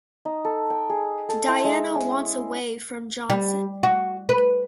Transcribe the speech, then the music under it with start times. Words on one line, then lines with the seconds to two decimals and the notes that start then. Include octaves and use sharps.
Diana wants away from Johnson.
0.25 D#4
0.45 A4
0.70 G5
0.90 G#4
1.29 A4
1.48 E4
1.64 G#3
1.95 C#4
3.30 G3
3.83 F#4
4.29 B4